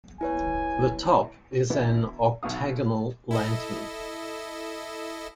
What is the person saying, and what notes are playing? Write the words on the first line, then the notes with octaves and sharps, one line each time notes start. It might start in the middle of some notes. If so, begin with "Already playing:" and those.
The top is an octagonal lantern.
E4 B4 C#5 G#5
B2 D3 E3 B3 E4
B1 B2 F#4 F5 D#6
E4 A4 D#5